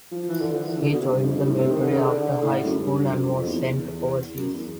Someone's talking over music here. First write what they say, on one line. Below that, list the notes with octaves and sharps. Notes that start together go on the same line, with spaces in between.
He joined the military after high school and was sent overseas.
F3
E3
D3
F3
E3
C#3
D3
B2
C3
G2
F2
G2
A2
C3
D#3
D3
C#3
D3
A2
F#2
G2
F2
F#2
F2
E2
E2
F#2
E2